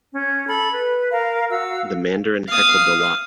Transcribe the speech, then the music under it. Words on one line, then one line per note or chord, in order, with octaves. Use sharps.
The mandarin heckled the lot.
C#4
A4 B5 G#6
B4
A#4 F5
F#4 F5 E6
F5 D#6